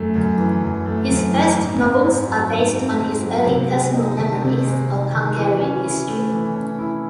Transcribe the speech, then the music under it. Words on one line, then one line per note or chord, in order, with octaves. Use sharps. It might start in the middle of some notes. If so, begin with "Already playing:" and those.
His first novels are based on his early personal memories of Hungarian history.
Already playing: F#2 A3
F#2
E3
F#2
A3
F#2
E3
G#2
C4
G#2
F#3
G#2
C4
G#2
F#3
C3
G#3
D#4
D#3
C3
G#3
D#4
D#3
E3
C#4
E4
A3
E3
C#4
E4